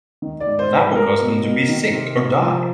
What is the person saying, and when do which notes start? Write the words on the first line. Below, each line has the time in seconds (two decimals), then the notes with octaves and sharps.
That would cause them to be sick or die.
0.22 D#3
0.40 D5
0.47 G#2
0.59 C5
0.71 G#2
0.76 B4
0.95 G3 A#4
1.20 B2
1.44 B2
1.68 D#3
1.93 C3
2.17 C3
2.42 F3